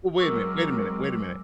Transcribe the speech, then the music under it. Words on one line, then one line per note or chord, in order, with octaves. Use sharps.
Wa wait a minute wait a minute wait a minute,
F#3 G#3 C4 A#4 C#6 D6 E6